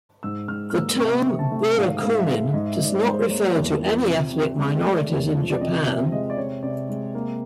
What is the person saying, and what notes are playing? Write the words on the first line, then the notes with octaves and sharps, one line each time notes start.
The term burakumin does not refer to any ethnic minorities in Japan.
G#2 E6
G#2 F6
F6
A#3 E6
C3 C#6
C3
A5
A3
G#2 F5
G#2 F5
E5
G#3
G#2 D#5
E5
G#2 D#5
D5
C#5
G#3 C5
A#3 C#5
E2
F3
C3
C3
G#3
A3 D5
E2
F3
D5
C3 D#5
C3 E5
G#3 D#5
D5
C3 C#5
C3 D5
G#3
A#3